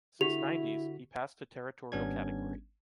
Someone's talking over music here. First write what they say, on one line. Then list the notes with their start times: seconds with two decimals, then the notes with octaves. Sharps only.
Since ninety's, he passed to territorial category.
0.21 D3 E4 F#4 G4 B6 F7
1.92 G#1 G3 B3 C#4 D4 G#6